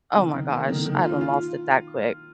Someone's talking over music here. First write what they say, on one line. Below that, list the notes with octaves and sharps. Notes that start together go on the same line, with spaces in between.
Oh my gosh, I done lost it that quick.
D#3
D#3
A#3
D#3
D#3
F4
F4